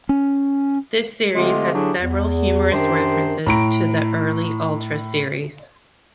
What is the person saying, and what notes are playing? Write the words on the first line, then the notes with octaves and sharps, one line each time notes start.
This series has several humorous references to the early Ultra Series.
C#4
D3 G#3 A3 C4 F4 G4
D3 F#3 D4 E4 G4 G#4
E2
F#2 D#3 D4 G4 C5 C6
A2 A#5 D7